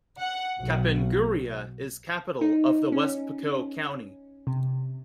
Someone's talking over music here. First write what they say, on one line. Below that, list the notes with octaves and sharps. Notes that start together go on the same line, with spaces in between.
Kapenguria is capital of the West Pokot County.
F#5
B1
D#4
C#4
C3